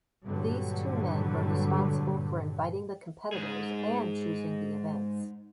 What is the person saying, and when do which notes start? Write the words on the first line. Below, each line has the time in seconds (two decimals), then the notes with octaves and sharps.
These two men were responsible for inviting the competitors and choosing the events.
0.23 G2 A#2 D3 F#3 G3
3.33 G#2 G#4